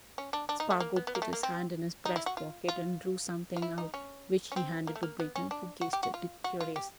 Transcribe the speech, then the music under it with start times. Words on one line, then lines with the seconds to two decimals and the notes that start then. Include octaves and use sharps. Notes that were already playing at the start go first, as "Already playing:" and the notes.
Spargo put his hand in his breast pocket and drew something out which he handed to Breton, who gazed at it curiously.
0.18 C#4
0.33 D4
0.49 D4
0.60 D#4
0.70 A3
0.80 A#3
0.96 B3
1.07 B3
1.15 A#3
1.22 A3
1.33 A#3
1.43 C4
2.05 D#4
2.16 E4
2.26 F#4
2.37 F4
2.68 F4
3.56 F4
3.62 E4
3.78 D#4
3.94 C#4
4.52 C#4
4.56 C4
4.87 A#3
4.96 A3
5.03 A#3
5.20 B3
5.36 C#4
5.51 D4
5.81 F#4
5.93 G4
6.03 F#4
6.14 F4
6.44 F#4
6.60 F4
6.76 G4